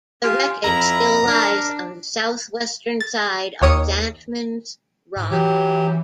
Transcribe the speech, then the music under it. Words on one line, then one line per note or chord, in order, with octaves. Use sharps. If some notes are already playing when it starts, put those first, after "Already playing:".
The wreckage still lies on the southwestern side of Zantman's Rock.
F4 G4 G#5
F2 E4 A#5
D4 A#4
A6
D#2 C#5 D#6 C#7
G#2
E3 F#3 G4
E3